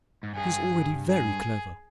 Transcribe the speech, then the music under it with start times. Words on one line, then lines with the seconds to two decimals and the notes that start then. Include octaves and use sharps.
She is already very clever.
0.23 G#2
0.35 G2 G#4
1.09 G#4